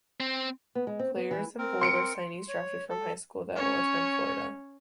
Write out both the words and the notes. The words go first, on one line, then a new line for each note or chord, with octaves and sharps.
Players in bold are signees drafted from high school that will attend Florida.
C4
B3
G#3
C4
B3
E3
C4 A#4
C6 C#7 D7
C#5
A4
C#4 C#5